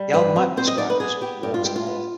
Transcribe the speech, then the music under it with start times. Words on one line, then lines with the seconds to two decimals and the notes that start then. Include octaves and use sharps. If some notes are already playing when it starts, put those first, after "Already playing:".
The album might be described as "warts and all".
Already playing: G3
0.13 G2 B4
0.36 C4
0.57 C4 C5
0.68 D#5
0.78 D#4 D5
0.90 B4
1.00 B3 G#4
1.21 B3 G4
1.43 G2 G4
1.54 F4
1.64 G#3 G4
1.76 F4
1.87 B3